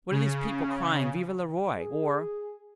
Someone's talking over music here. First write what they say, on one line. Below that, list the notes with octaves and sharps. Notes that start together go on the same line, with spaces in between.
What are these people crying 'Vive le Roi!' for?
C#3
G#4